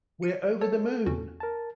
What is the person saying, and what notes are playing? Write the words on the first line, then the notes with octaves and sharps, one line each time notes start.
We’re over the moon!
C#7 D#7
A4 C#5
E2 C#4 F#4
A#4 A5